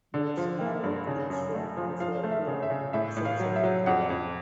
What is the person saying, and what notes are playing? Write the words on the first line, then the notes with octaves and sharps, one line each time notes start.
A small lightning storm also occurred on Assumption Island.
D3
F3
A#3
G2
C#3
F#2
A3
F3
F3 F5
A3
E5
C#3
E5
C#3
A2 E5
A2
F5
F#3
E5
F#3
F2 F#5
F2